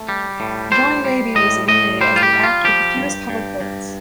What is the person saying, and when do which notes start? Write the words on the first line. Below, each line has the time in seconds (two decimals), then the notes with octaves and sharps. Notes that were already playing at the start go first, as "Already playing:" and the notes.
Jonny Labey was eliminated as the act with the fewest public votes.
Already playing: A3
0.09 G3
0.40 A2
0.72 G3 C5
1.05 G3
1.36 A2 D#5
1.68 A2 D#5
2.01 G3 C5
2.16 F4
2.23 G4
2.33 G3
2.43 F4
2.64 F3 G4
2.97 G2
3.29 G2
3.61 G2